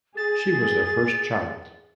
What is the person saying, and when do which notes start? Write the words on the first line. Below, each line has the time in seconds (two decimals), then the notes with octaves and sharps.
She was their first child.
0.17 G#4 A6